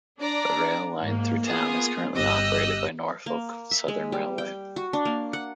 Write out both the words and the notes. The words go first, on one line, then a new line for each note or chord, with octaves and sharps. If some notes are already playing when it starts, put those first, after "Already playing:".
The rail line through town is currently operated by Norfolk Southern Railway.
D4 D5 A#5
G#2 A#3
A#3 B3 F4 G#4
G1 G4 D#5 E6 F#6
A#3
E5
G#3
G3
G5
F#4
D4
A#3
F#5